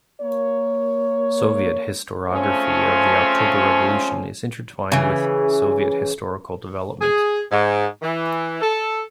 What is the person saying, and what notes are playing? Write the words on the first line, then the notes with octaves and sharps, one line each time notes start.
Soviet historiography of the October Revolution is intertwined with Soviet historical development.
A#3 C#5
C#3 F3 A3 C4 C#4
C#3 E3
G#4
G#2
E3
A4